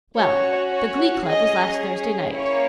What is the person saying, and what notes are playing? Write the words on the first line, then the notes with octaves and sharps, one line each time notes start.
"Well--the glee club was last Thursday night."
C#4 F#4 C#5
C#5
C#4 G#4 D#5
A#3 C#4 E4 C#5